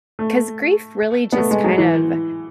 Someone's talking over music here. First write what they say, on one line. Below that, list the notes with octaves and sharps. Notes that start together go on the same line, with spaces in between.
'cause grief really just kind of
A3
B3
A3
G#3
F#3
E3